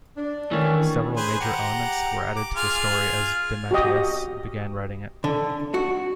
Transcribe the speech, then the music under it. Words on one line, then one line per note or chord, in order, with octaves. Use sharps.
Several major elements were added to the story as DeMatteis began writing it.
D4
D#3 E3 A3 C#4
G#4 B4 C5
G4 F#5 A#5
D6
F4 G#4 F6
F#4 G4 D#5
D3
F#4